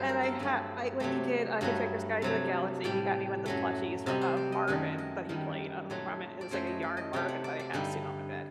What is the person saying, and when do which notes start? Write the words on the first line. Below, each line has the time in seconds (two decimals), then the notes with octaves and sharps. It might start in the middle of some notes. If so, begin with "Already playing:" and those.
And I ha I when he did, uh, Hitchhiker's Guide to the Galaxy, he got me one of the plushies fro of Marvin that he played. I don't know if I m it's, like, a yarn Marvin that I have sitting on my bed.
Already playing: G2 F#3 A3 C5 D5
0.09 A#4
0.23 A4
0.39 G2 F#3 A3
1.00 C3 F#3 A3 G4
1.61 G2 F#3 A3 F#4
2.22 C3 F#3 A3
2.84 A2 G3 D5
3.46 F#2 F#3 A3
4.06 C3 G3 D#5
4.21 C5
4.37 D5
4.52 D#5
4.68 F#2 D#3 A3 D#5
4.98 D#5
5.29 F#2 D#3 G3
5.90 A#2 F#3 A3
6.41 D5
6.51 F#2 F#3 A3 C5
6.67 D#5
6.82 D5
6.97 D#5
7.13 C3 F#3 A3 G5
7.28 F#5
7.44 D5
7.59 D5
7.73 G2 D3 G3 D#4